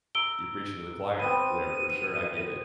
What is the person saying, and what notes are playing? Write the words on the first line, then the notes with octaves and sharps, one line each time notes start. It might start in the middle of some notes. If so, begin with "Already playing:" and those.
you're preaching to the choir there for sure, I get it.
A#5 E6 D7 G7
B3 C4 D#7